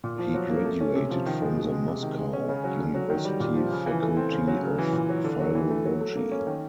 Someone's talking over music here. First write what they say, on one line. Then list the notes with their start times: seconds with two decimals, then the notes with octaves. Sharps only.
He graduated from the Moscow University faculty of philology.
0.04 A#2
0.19 F3
0.34 F#3
0.49 A#3
0.65 A3
0.81 C#4
0.95 C3
1.11 F3
1.26 D#3
1.42 G#3
1.57 B2
1.72 G#3
1.88 C3
2.03 D#3
2.18 G#3
2.33 C#4
2.49 C#3
2.64 F#3
2.79 D3
2.94 F#3
3.10 D#3
3.25 G3
3.40 A#2
3.56 F3
3.71 C#3
3.86 E3
4.02 A3
4.17 C4
4.32 C#3
4.48 F#3
4.63 C#3
4.78 E3
4.93 A#2
5.09 F#3
5.24 D3
5.39 F#3
5.55 E3
5.70 A3
5.85 F#3
6.00 A3
6.16 A#3
6.32 C#4
6.47 D#3